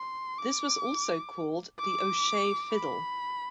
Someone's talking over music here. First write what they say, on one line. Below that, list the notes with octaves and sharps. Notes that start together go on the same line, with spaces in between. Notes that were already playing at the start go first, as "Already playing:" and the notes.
This was also called the "O'Shea Fiddle".
Already playing: C6
D6
D6
B5